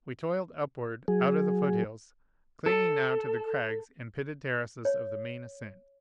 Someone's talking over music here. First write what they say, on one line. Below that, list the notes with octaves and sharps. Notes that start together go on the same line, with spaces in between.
We toiled upward, out of the foothills, clinging now to the crags and pitted terraces of the main ascent.
F#3 G#4
A4
C#5